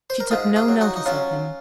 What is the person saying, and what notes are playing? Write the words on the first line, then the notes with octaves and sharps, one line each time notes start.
She took no notice of him.
C5
A#4
G#2 F4 G#4
F4 G#4
F#3
D#4 F#4
D#4
F#3 C#4 F4